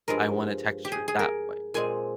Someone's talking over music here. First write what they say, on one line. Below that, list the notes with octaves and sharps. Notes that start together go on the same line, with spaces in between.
I want a texture that way.
G2 F3 G#3 A#4
G4
G#4
G#4
A#4
A#2 G#3 C4 G#5